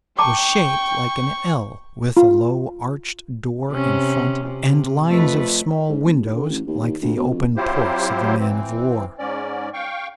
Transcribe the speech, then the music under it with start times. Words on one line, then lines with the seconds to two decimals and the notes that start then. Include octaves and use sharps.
It was shaped like an L, with a low arched door in front, and lines of small windows like the open ports of a man-of-war.
0.19 G5 A5 A#5 C#6 D6
2.17 F4
3.70 C3 C#4
4.44 C3
5.07 F2 A3 B4
5.89 G#2
6.04 E1
6.20 D#2
6.35 D3
6.49 A1
6.67 D#2
6.81 D#2
7.02 D2
7.17 B2
7.31 F2
7.56 F#3 C4 E4 F4 G4 C5
8.39 E3 C4
9.19 G#2 C#4 D5
9.74 F5 G5 C#6